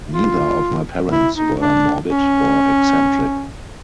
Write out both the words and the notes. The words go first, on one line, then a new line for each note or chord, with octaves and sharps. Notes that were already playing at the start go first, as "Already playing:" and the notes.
Neither of my parents were morbid or eccentric.
F4
E4
D#4
D4
C#4